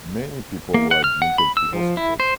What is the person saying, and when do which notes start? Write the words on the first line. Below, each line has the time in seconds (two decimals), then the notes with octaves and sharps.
Many people were admitted to hospital.
0.74 A#3
0.91 F#5
1.04 F6
1.22 F#5
1.38 B5
1.57 E6
1.73 F3
1.97 E4
2.20 C5